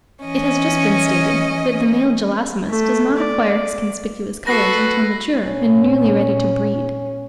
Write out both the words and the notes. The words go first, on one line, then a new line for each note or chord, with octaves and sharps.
It has just been stated that the male Gelasimus does not acquire his conspicuous colours until mature and nearly ready to breed.
E3 C#4 D#5
A3
D5
F#4 A4 B4 A#6 C7
A#2 C#4